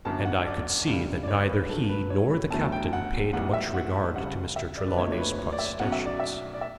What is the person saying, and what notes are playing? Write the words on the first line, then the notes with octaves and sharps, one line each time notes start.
And I could see that neither he nor the captain paid much regard to Mr. Trelawney's protestations.
G1 F#2 D3 A5
F#5
D5
C#2 C#3 G3 D4
D5
C#5
B4
G2 D3 F#3 A4
B4
C#5
B5
E1 E2 D3 F#3 A3 A5
G5
F#5
B1 A2 E3 G3 F#5
E5
F#5
A5
C#2 C#3 G3 F#5
E5
D5
B4
F#1 E2 D3 F#3 A3 C#5
C#5
B4
C#5
D5
E5
B1 B2 F#3 C#4 F#5
E5
D5
E5
D5
E5